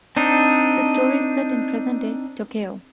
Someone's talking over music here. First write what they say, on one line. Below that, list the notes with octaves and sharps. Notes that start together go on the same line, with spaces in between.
The story is set in present-day Tokyo.
C4 D4 D#4